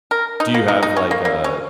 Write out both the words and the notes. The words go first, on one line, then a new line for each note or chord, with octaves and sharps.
Do you have like a
A#4
D#4
A#3
D#4
D#4
C#4
A#3
A#3
C#4